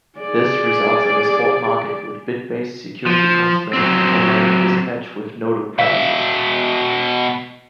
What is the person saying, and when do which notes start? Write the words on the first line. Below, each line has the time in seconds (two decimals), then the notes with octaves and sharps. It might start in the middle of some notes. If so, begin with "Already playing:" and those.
This results in a spot market with "bid-based, security-constrained, economic dispatch with nodal prices".
0.19 G#4 D5
3.06 F3
3.73 F#3 C4
5.79 B2 E5 F5